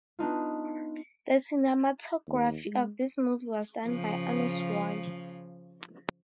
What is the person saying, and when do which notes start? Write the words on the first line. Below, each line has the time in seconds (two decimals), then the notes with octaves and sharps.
The cinematography of this movie was done by Anish Roy.
0.19 B3 D4 D#4 F4
2.28 D#2
2.66 G#3
3.87 C#3 F3